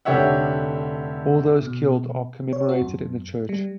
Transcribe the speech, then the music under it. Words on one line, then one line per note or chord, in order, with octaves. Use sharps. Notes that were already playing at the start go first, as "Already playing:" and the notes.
All those killed are commemorated in the church.
F1 D3 G4 C#5 E5 F#5
B2
C#5
F#4
F#2
G3